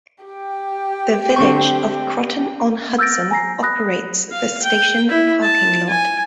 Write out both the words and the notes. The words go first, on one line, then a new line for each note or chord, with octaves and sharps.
The Village of Croton-on-Hudson operates the station parking lot.
G4 G5
D3 C4 C#6
E6 F6 G6 A6 A#6 D7
G#5 A#5 A#6 C7
B5 D#6 F#6 A#6
F5
G5
E4
A5
G#5